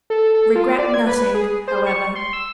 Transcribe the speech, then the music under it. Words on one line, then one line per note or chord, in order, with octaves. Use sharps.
Regret nothing, however.
A4
A4
F4
D5
G#6
B4
G#4
C5
C#6
C6
E6